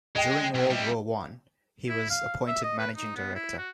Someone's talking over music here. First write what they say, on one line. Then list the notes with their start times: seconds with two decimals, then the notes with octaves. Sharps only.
During World War One he was appointed managing director.
0.15 G#3 D#5 G5
0.54 B1
0.70 G3 E4
1.89 E4
2.10 F5
2.48 E5
2.64 D#5
2.79 B4
2.96 D#4
3.16 B3
3.36 E4
3.58 F#4